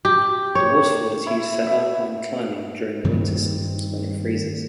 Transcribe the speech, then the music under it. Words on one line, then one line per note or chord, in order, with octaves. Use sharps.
The waterfall is used for alpine climbing during the winter season when it freezes.
G4
C#5
E4
E5
G2 D#3 G3 C4